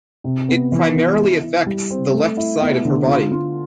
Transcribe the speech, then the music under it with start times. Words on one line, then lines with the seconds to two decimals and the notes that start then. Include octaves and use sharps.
It primarily affects the left side of her body.
0.24 C3
0.49 B3
0.72 E3
0.96 B3
1.18 E4
1.42 E4
1.66 G3
1.90 C4
2.14 A3
2.37 E4
2.61 B3
2.85 D3
3.08 F4
3.32 F4